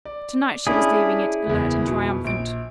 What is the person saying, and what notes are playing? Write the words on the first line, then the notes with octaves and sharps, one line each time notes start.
To-night she was leaving it alert and triumphant.
D5
C#4 D4 E4 G#4
F#1 E2
F2 B2
A#1 D7